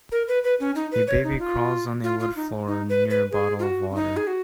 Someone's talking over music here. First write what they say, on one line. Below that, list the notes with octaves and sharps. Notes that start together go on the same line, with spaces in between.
A baby crawls on a wood floor near a bottle of water.
A#4
B4
B4
C#4
D#4
B4
C#5
D#4
F4
F4
F4
D#4
D#4
B4
B4
G#4
F4
F#4
C#4
D#4
G#4
F#4